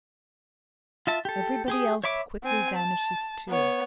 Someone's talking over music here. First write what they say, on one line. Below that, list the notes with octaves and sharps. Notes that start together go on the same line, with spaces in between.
Everybody else quickly vanishes too.
F4 E5 A5
G4 A4
G4 G#4 D#6
C#5 E5 B5 D6
C4 G#5
A5
B3 C#5